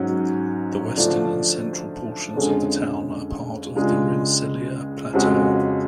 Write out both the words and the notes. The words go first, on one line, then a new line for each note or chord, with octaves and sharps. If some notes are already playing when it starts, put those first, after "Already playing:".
The western and central portions of the town are part of the Rensselaer Plateau.
Already playing: G#2 F#3 C#4 F#4
D3 F3 A3 D4
F2 D3 G#3 C#4 G#4
C#2 C#3 G#3 D4 F4
F2 C#3 G#3 C#4 F#4